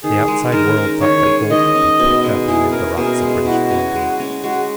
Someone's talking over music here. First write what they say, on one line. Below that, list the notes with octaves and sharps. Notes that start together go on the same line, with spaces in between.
The outside world thought that gold could be picked up amid the rocks of British Columbia.
D#3 G#4
G#3
D#3 A#4
C#4
D#3 C#5
G#3
D#3 D#5
C#4
B2
G#3
E4 G#4
C#4 A#4
B2 G#4
A#4
G#4
G#3
E4 F#4
C#4
G#3
C#4
G#3 F#4